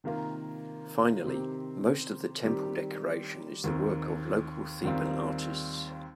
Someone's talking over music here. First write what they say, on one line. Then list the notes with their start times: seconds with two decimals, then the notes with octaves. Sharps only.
Finally, most of the temple decoration is the work of local Theban artists.
0.04 C3 D#3 A#3 F4
1.24 C3 D#3 C4 G4 C5
2.44 D#3 G3 C4 G4
3.64 D#2 D#3 C4
4.84 D#2 D#3 G3 C4 F4